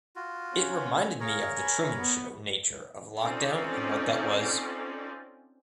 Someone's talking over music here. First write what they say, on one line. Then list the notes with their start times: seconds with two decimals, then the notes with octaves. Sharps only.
It reminded me of The Truman Show nature of lockdown and what that was.
0.16 F4 F#4
0.53 C4 C#4
1.20 G#4 A#4 C#5 F5
1.56 G#5 B5
1.97 B3
3.19 C4 C#4 D#4 F4 A4 D5